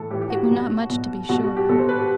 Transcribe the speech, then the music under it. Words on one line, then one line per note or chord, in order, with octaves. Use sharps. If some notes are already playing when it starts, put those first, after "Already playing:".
It were not much to be sure.
Already playing: A2 E3 A4
A2 E3 G4
G4
F#4
B2
B2
B2 F#4
F#4
G4
B2 A4
C5
B4
G4